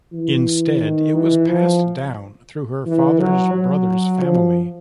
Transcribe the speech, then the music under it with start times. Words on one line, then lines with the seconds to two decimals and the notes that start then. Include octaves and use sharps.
Instead, it was passed down through her father's brother's family.
0.13 E3
0.81 D#3
1.15 E3
1.49 F3
2.86 E3
3.20 F#3
3.54 F#3
4.22 F3